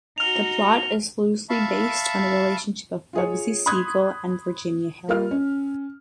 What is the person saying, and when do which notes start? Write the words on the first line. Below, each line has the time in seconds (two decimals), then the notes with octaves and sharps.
The plot is loosely based on the relationship of Bugsy Siegel and Virginia Hill.
0.18 D#4 F#4 F6 F7
1.50 E5 F5 A5 B5 C#6
3.13 F4 G#4 C#5
3.66 B5 C6 D#6 F#6 G#6
5.08 G3 A#3 F4 F5 F6
5.31 C#4